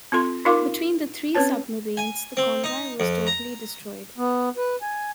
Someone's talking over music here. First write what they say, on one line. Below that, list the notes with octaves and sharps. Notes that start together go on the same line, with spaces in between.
Between the three submarines, the convoy was totally destroyed.
C4 F4 A4 C6
D#4 F4 A#4 F5 C6 D6
C4 C#4 B4 C#5 A5
G#5
C4
D#4
F2
A#5
B3
B4
G#5